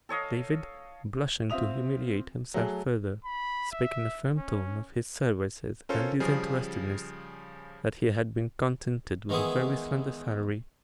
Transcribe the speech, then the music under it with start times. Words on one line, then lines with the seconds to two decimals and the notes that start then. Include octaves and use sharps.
David, blushing to humiliate himself further, spake in a firm tone of his services and disinterestedness,--that he had been contented with a very slender salary.
0.09 A4 C#5 D#5 F5
1.50 C4 F4 E5 D#6 F7
2.54 F#3 A3 G#4
3.25 B5
3.72 E5
4.37 C#4
5.89 C#4 F4 A4 A#4 C5 C#5
6.20 C#3 F3 G3 G#4
9.29 D#3 E3 G#3 B3 E4 G#4